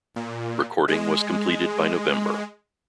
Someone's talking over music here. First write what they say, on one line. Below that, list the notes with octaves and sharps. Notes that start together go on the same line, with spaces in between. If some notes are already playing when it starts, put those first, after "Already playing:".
Recording was completed by November.
A#2
G#3